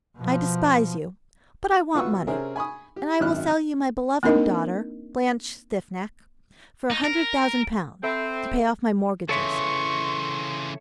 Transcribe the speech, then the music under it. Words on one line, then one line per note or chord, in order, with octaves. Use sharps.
I despise you, but I want money; and I will sell you my beloved daughter, Blanche Stiffneck, for a hundred thousand pounds, to pay off my mortgages.
B2 F3
B1 F4 B4 F#5 C#6 E6
C3 C4 C#4 G#4 A#4
G#5 B5 C#6 D#6
G4
G#1 F#2 D#3 E5 F6 F#6
A#3 C4 D4 D#4 A#4 D#5
D#4
A#4
C4 A4 E5 B5
C#3 E3 A4 C#5 E5 C6 C#6